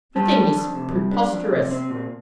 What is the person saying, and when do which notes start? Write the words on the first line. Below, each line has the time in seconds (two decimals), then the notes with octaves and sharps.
The thing is preposterous!
0.16 G3 A5
0.35 D4
0.54 F2
0.74 C3
0.93 G3
1.12 D4
1.32 F2
1.51 C3
1.71 C4
1.90 A#2